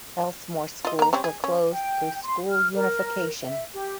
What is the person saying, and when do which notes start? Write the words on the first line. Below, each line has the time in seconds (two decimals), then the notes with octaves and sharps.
Elsmore schools were closed through school unification.
0.85 F4 D#5
0.99 A#3 A#5
1.13 G3 C4 C#4
1.24 G#4
1.44 C#4
1.73 G5
2.24 C6
2.48 F6
2.74 A#4
3.42 E5
3.74 G4